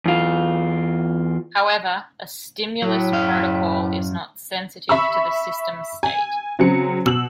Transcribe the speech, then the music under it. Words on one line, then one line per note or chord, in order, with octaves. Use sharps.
However a stimulus protocol is not sensitive to the system state.
E2 F4
A2 F#3
F#2 F5
E5 B5 C#6 E6
G#5
C#3 F#3 C4 C#7
B2 E6 F#7